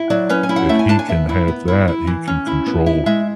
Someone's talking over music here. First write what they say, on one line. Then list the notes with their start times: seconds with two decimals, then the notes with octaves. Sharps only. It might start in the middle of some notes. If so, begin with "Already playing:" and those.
if he can have that, he can control
Already playing: E4
0.10 F#3 D5
0.29 C#4 B4
0.43 G#5
0.49 E4
0.56 F#5
0.69 A3 E5
0.79 G#5
0.89 D4 A5
0.99 G#5
1.09 B3 E5
1.29 E4
1.48 B3
1.68 E4
1.88 E4
2.07 E3
2.27 C#4
2.47 E4
2.66 B3
2.86 E4
3.06 G#3 E5